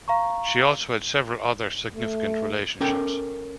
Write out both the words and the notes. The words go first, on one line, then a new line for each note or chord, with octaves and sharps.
She also had several other significant relationships.
F5 A#5 C#6
A3
C#4 A4 A#4 G5